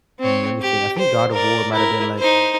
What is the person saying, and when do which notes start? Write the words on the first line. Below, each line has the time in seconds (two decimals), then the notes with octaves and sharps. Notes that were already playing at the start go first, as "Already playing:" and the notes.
mm, lemme think I think God of War might have been, like
0.20 C4 C#5
0.61 G4
0.99 C5
1.32 A#4 D5
1.72 E4 A#4
2.18 D#4 C5